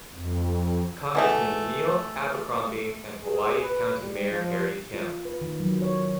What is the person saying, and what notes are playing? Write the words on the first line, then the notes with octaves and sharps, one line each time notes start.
Congressman Neil Abercrombie, and Hawaii County Mayor Harry Kim.
F2
B2 E3 A3
G#4
B4
G3
F3
F4
B4
D#3
F#3
C#5